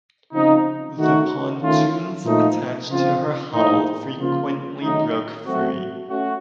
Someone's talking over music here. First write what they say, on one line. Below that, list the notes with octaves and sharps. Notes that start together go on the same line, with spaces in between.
The pontoons attached to her hull frequently broke free.
C#3 F3 C4 D#4
D#3 A3 D#4 F#4
D#3 A3 C#4 F4
A#2 F3 A3 D#4
C#3 F3 C4 F4
A2 F3 A#3 D#4
C#3 F3 A#3 F4
D#3 F#3 A3 D#4
F#3 A3 C4 F#4
A3 C#4 F#4